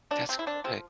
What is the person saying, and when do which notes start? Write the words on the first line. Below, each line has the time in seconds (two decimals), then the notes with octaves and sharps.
That's good.
0.11 B2 D4
0.29 C3 C4
0.39 E4
0.46 C4 D4
0.64 F3 C4